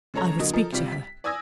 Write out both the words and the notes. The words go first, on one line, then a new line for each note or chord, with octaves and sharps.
I would speak to her.
C#3 G#3 A4 C#5 A#5 G#6
D3 F#3 A#3 D#5
F3 A4 A#4 D#5
C3 G3 F4 D5 B6
B6
D5 G#5 D#6 E6 G#6 A#6